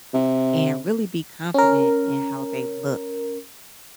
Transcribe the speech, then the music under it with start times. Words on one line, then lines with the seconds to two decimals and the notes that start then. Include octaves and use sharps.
and really be confident in how they look.
0.14 C3
1.54 C#4 A#4